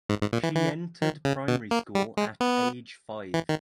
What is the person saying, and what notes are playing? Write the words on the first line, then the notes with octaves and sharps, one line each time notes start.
She entered primary school at age five.
G#2
G#2
A#2
E3
E3
D#3
C#3
B2
A#3
G3
G#3
B3
E3
D#3